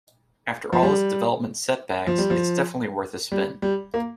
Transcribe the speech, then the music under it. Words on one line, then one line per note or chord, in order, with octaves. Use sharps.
After all its development setbacks, it's definitely worth a spin.
F3
G3
F3
G3
F3
G3
G3
A#3